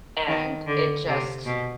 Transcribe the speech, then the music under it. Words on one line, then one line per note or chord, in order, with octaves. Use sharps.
and it just
D#3
D3
C3
B2